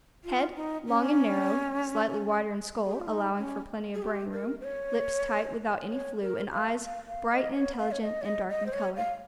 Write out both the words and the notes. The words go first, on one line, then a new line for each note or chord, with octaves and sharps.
HEAD--Long and narrow, slightly wider in skull, allowing for plenty of brain room; lips tight, without any flew, and eyes bright and intelligent and dark in colour.
F4
D#4
C#4
G#4
G4
F4
D#4
C#4
G#4
G4
A#4
C5
C#5
C#5
A#4
F5
F5
F5
D#5
C#5
F5
C#5
D#5
C#5
D#5
D#5
C5
C#5
F5